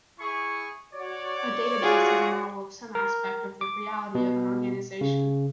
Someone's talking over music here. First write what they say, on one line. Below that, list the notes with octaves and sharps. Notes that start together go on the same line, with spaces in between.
A database is a model of some aspect of the reality of an organisation.
E4 G#4 C#6
F#4 C#5 D5
F4 F#4 G#4
A#4
D6
B2
C#3